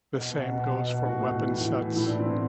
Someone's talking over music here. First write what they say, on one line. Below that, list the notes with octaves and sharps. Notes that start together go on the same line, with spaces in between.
The same goes for weapon sets.
B2
B2
B2
B2
B2
B2
A2 F#4
A2
E3
A2
E3
E3
A2 E4
D4
E3
C4
A2 B3